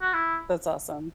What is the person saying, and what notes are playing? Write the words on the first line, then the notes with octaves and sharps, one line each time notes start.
That's awesome.
F#4
E4